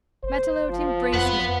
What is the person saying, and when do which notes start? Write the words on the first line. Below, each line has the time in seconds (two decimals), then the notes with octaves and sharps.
Matelote, embrace me!
0.23 F#1 C5
0.69 F3
1.13 F2 B4 F#5